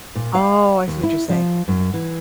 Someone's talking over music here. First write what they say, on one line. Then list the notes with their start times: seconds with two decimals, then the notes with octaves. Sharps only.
Oh, I see what you're saying.
0.16 A#2
0.35 F5
0.88 D#2
1.03 E4
1.30 F3
1.68 F#2
1.94 E3